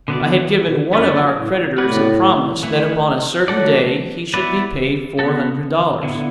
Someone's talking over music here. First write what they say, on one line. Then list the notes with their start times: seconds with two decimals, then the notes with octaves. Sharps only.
I had given one of our creditors a promise that upon a certain day he should be paid four hundred dollars.
0.08 B2 D3 B3 E4 D5
0.27 F#3
0.37 E3
0.65 B2
0.93 F#2 F#3 B3 D4 B4 D5
1.35 A2
1.78 A2 B3 F#4 B4 D5
2.63 E3 A3 E4
3.48 E3 F#3 A3 F#4 A4 D5
4.33 F#3 B3 E4 B4 D5
4.55 A2
5.19 B3 F#4 A4
6.03 A2 D3 B3 E4